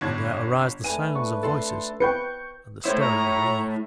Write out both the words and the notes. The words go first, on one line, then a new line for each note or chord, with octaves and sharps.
And there arise the sounds of voices and the stirring of leaves.
G1 D4 G#6
A3 D4 B4 G#5 D#7
C#6
A4 C6
B4 G5 C#6 G6 C#7
A3 E4 C5 C#5
C#5 A#5